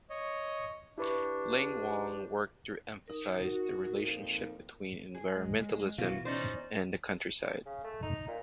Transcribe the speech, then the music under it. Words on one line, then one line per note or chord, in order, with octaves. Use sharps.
Ling Wong worked to emphasise the relationship between environmentalism and the countryside.
C#5 D#5
D4 E4 G4 B4 C#6
D#4 A#4
F#4
F2 A#2
G#4
G#3
B2 E3 F4 F#4
C#4 D#4 C5 D5
C#3
A3
D#4
A#2